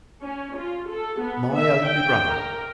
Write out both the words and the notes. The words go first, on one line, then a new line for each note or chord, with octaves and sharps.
My only brother!
C#4
F4
A4
B3
E5
G5
A#4